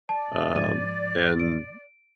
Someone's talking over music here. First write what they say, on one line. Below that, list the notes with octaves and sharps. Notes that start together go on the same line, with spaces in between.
um, and
D5 A5
G#2 F3 G#6 D#7
D7